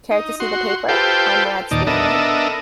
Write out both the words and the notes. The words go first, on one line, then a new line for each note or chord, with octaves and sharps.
Care to see the paper, Comrade Stanley?
D#4
F#4 C6
F4 G4 A4 B4 C5 G5
D#2 A#2 D#4 D5 A5
B3 D4 A4 A#4 D#5 E5